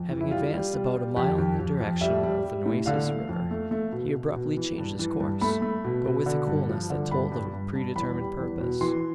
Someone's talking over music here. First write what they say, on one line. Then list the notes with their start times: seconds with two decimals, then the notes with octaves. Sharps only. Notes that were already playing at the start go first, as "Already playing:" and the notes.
Having advanced about a mile in the direction of the Nueces river, he abruptly changed his course; but with a coolness that told of a predetermined purpose.
Already playing: F2
0.10 E3
0.21 E4
0.31 G3 F4
0.53 G3
0.74 G3
0.96 G3
1.16 F2 G4
1.38 F2
1.59 F2
1.81 F2
2.01 G3 E5
2.23 G3
2.43 G3
2.66 A2
2.86 D3 F5
3.07 A3
3.29 F2
3.51 A3
3.71 A3
3.92 B2
4.14 B2
4.36 B2
4.57 E3
4.78 G2
4.99 E3
5.20 G2
5.41 A3 B5
5.62 A3
5.84 B2
6.06 B2
6.26 D3
6.47 G2
6.69 F3
6.90 D3
7.11 G2 B5
7.32 G2
7.54 G2
7.75 G2
7.96 E2 B5
8.18 G3
8.39 E2
8.60 B2
8.81 E3 C6